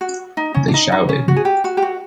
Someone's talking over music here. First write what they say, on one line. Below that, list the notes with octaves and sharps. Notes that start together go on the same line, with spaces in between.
They shouted.
F#4
D#4
C#4
D4
D#4
D#4
C#4
F#4
G#4
G4
F#4
G4
F#4